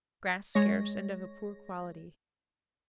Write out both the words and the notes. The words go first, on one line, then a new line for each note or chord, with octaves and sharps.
Grass scarce and of a poor quality.
G#3 C#5 A#6